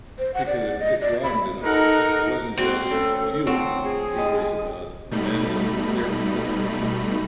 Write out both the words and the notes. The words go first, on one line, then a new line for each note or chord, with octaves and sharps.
becau it broadened it a little bit. It wasn't just a fuel, it was about mental clar clarity,
C5
F#5
D5
D#5
D5
B5
D#4 A4 A#4 F#5
A#2 C4 F#4
D2 C#4 A4
D2 F3 C4 C#5 F#5
G#4
G4 D#5
B2 G3 A3 D#4 B5